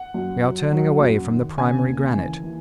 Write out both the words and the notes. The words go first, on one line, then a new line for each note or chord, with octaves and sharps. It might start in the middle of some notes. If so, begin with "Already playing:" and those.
We are turning away from the primary granite.
Already playing: F#5
F#2
F#3
F#3
F#2
D#3
C#3 G#5
D#2
E3
E3